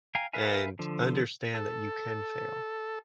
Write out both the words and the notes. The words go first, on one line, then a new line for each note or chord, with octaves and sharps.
and understand that you can fail,
F5 G5 G#5 A#5
A#4 B4 E5 F5 G#5
D3 F3
A4